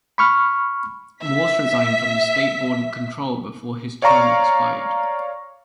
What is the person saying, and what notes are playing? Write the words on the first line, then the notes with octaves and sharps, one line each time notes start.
Morse resigned from the State Board of Control before his term expired.
B5 C#6 F6
E5 B6
C#5 D5 F5 A#5 C#6